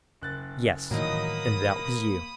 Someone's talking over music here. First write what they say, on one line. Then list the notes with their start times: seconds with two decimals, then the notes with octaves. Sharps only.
"Yes; and that was you!"
0.22 F#1 F#6 A6
0.91 A2 D#3 E3 F#3 A#3 D#4 B5 D#6